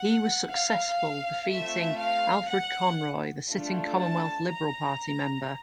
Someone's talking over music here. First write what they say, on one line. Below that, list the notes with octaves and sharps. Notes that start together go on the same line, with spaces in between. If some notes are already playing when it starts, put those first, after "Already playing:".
He was successful, defeating Alfred Conroy, the sitting Commonwealth Liberal Party member.
Already playing: F#5
F5
A3 C4 F4 E5
F5
F#5
A3 D4 F4 A4
A5
A#5